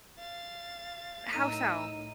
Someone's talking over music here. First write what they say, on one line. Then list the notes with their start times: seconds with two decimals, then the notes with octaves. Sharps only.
How so?
0.19 F5 A6
1.33 A2 D#4 A#4 A#5 E6 D#7